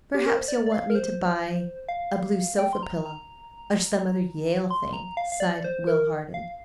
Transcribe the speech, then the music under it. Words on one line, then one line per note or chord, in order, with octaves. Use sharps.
"Perhaps you'll want me to buy a blue sofa pillow or some other Yale thing," sighed Will Hardon.
G4
A#4
C5
D5
D5
F5
A#4
C5
F5
G5
C6
A#5
A#5
C6
A#5
F5
F5
D5
C5
A#4
F5